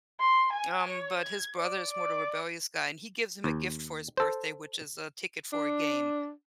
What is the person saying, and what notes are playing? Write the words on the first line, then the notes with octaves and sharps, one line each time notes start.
Um, but his brother is more the rebellious guy, and he gives him a gift for his birthday which is a ticket for a game,
C6
G#5
C#5
G#6
D5
D5
D#2
A4 C5
D4